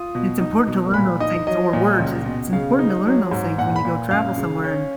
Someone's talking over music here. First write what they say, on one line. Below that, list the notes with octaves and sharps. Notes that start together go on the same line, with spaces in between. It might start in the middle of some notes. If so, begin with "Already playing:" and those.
It's important to learn those things or words, it's important to learn those things when you go travel somewhere and
Already playing: F4 D#6
B2
D#4
B2
A#2 B5
D#4 D#5
F#3 D#5
A#2
C#2
B2
C#3 F5
D#4
F#3
G#2
A#2 F#5
B5
A#2
F#2 F5
C#3
C#4